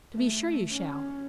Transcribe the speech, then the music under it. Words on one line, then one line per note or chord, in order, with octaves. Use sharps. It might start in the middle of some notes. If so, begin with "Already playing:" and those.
"To be sure you shall."
A3
C#4